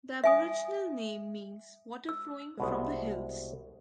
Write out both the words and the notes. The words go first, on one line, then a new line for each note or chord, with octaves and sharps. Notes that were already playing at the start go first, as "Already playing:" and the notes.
The aboriginal name means "water flowing from the hills".
E5 G#5 D#6
E6
C2 B2 G#3